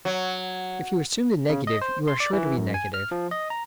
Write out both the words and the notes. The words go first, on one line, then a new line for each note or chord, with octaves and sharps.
If you assume the negative you are sure to be negative.
F#3
C#3
D#5
C5
C6
D5
E3
F#2
G#5
F6
F3
D#5
A#5